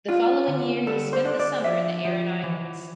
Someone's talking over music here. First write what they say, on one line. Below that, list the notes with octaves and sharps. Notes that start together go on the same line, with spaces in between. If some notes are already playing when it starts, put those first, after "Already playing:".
The following year he spent the summer in the Aran Islands.
D4 F4
D3
G3 A4
C5
D4
D5
F3 E5
F3
E3